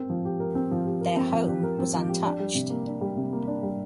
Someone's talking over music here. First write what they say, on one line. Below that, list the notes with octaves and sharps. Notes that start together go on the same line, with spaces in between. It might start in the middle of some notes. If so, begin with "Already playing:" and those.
Their home was untouched.
Already playing: C4 A#4
F3
G4
A#4
C4
F3
G4
A#4
C4
F3
G4
A#4
C4
F3
G4
D4
G3
C3
A#3
D4
G3
C3
A#3
D4
G3